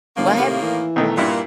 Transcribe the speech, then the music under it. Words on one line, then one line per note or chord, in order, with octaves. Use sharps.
Well, have y
G1 A2 D#3 A#3
C3
E3
B1 D#3 A3
G2 A#2 E4